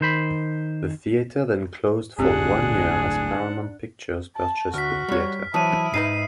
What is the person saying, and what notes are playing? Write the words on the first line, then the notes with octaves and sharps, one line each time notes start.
The theater then closed for one year as Paramount Pictures purchased the theater.
D#3 C5 B5
G1 D2 A2 C4 D4 G4 G#4 F#5
A5
D2 F#4 F6 B6
G3 C#5
E3 F#3 E4 C5 A5 D#6 D#7
G#2 D#4 B4 C7 D#7